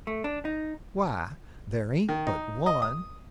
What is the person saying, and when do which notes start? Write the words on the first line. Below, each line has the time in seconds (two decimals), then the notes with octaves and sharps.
"Why, there ain't but one."
0.07 A3
0.24 D4
0.45 D#4
2.09 D#3
2.27 D#4
2.66 D#5
2.82 D#6